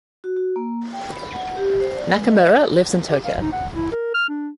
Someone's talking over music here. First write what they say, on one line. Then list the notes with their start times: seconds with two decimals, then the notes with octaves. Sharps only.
Nakamura lives in Tokyo.
0.24 F#4
0.36 F#4
0.56 A#3
0.93 G5
1.12 B5
1.33 F#5
1.57 G4
1.80 C5
1.95 D5
2.09 G#3
2.28 D#5
3.11 G4
3.24 F5
3.41 D#4
3.53 F#5
3.74 E4
3.92 A#4
4.14 F6
4.29 D4